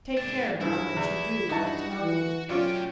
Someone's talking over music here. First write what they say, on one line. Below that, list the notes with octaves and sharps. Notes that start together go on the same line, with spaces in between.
Take care now that you do what I tell you.
C2 G#2 D4
G2 E3 E4
E2
G2 D#4 E4 F#4 A5
E3
A2 F#3 C#4 F4 D5 G5